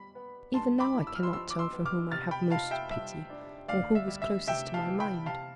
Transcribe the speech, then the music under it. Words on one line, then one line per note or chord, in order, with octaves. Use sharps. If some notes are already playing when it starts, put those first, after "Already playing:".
Even now I cannot tell for whom I have most pity, or who was closest to my mind.
Already playing: G3 B5
B3
G2 A5 C6
B5 D6
E4
E6
F6
C6 E6
F3 C6 E6
D6
C6 E6
B3
D6 F6
C3 F6 A6
G5 B5
F4 F5 A5
E5 G5
G3 E5
D4
D2 D5 F5
E5
G3
E5
C3 E5 G5
F5 A5
E3
G5 B5
C3 F5 A5